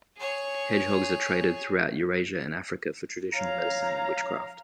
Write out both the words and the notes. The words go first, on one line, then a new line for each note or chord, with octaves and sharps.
Hedgehogs are traded throughout Eurasia and Africa for traditional medicine and witchcraft.
G#4 C#5
C#5 F5 A#5